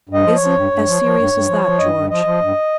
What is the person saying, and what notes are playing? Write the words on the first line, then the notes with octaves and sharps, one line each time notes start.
"Is it as serious as that, George?"
G2 D#5
F3
F3 C#5
G2
G2
F3
F3
G2
G2
F3
F3
G2 D#5
G2
F3 D#5
F3
G2